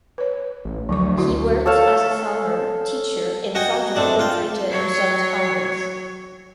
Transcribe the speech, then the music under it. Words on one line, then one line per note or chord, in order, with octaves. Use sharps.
He worked as a farmer, teacher, and foundry operator in Saint Albans.
B4 C#5
A1
D2 F3 F#3 C#6
E4 F#4
A4 C#5 F5 A5
F#4 D#5 G5 G#5 D#6
A3 C4 D4 D5
F4 G5
F#3 C#5